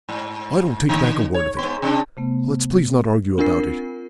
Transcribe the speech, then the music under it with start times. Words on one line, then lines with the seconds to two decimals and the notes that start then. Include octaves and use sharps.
I don't take back a word of it. Let's please not argue about it.
0.09 G#2
0.89 D3
1.34 C#5
1.59 G#2 B3
1.82 C3 D4
2.17 C3 A3 B3
3.38 C4 D4 F4 A#4 C7